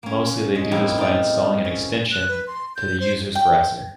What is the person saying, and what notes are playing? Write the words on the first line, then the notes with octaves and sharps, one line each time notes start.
Mostly they do this by installing an extension to the user's browser.
A#3 C#4
G#3
F2 A2 G#3 A#3 C4 E4
D#4 F4 C5 D5
C#4
F#6
B4
C6
G6
C5
G5